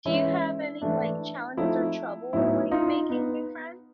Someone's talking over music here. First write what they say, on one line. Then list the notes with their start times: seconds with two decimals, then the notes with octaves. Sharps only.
Do you have any, like, challenges or trouble, like, making new friends?
0.05 E3 G#3 C#4 E4
0.82 E3 A3 D4
1.57 F3 A3 C4 D#4 E4
2.33 A2 F#3 B3 D#4 E4
2.71 D#4 F4
3.09 B3 D#4